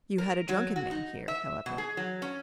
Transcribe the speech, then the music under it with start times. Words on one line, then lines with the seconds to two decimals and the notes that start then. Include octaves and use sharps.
"You had a drunken man here, however."
0.18 A#4
0.49 F#3
0.76 F#4
0.91 D#4
1.28 E5
1.66 B2
1.78 G#4
1.97 F#3
2.22 C#4